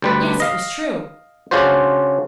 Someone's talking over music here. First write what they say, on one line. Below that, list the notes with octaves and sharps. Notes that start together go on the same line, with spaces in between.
Yes; it was true.
D2 G3 B4
D#5 F5
C#3 C#4 D4 F4 F#4 C5